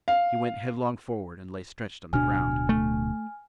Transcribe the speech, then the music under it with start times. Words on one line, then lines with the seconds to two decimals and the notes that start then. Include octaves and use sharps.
He went headlong forward and lay stretched on the ground.
0.08 F5
2.13 D1 B2 D4 G#5 F6
2.69 A3